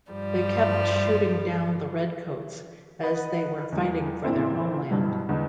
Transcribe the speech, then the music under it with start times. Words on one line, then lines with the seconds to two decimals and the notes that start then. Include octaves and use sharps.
They kept shooting down the Red Coats, as they were fighting for their homeland.
0.11 G2 F3 G3
3.03 B4 D#5 F#5
3.72 E2 G3
4.24 F#2 A#2 D3 E3 C4 E4
4.91 G2 B2 E3 F#3 G3
5.29 E2 D3 E3 G#3 B3